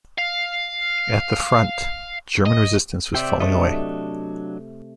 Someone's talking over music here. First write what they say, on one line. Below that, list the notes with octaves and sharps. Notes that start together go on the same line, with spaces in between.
At the front, German resistance was falling away.
F5
D#5
C3 D5 E5 G5
F#3 A3 D4 D#5